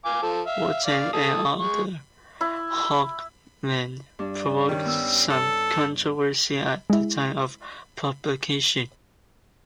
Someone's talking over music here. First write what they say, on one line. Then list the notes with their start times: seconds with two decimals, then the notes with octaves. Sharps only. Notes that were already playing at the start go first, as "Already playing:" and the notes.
Vultan and the other Hawkmen provoked some controversy at the time of publication.
0.06 F5 G#5 D6
0.22 F3 A4
0.46 E5 F5
0.85 D5 F5
1.13 A4 D#6
1.59 G#3 C#6
2.41 E4
4.19 G2 D4
4.69 D#3 G3 C#4
4.85 B3 E6
5.30 A4
6.90 G#3 E4